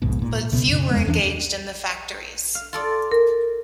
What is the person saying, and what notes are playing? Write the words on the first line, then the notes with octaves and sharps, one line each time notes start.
But few were engaged in the factories.
A#1 D#2 G#2 B2
G#1 A#2
C#2 B2 B3
F#2 C#3
E2 G#3 B3
E2 E3 C#4 D4
F5
F4 A4 D5
A#4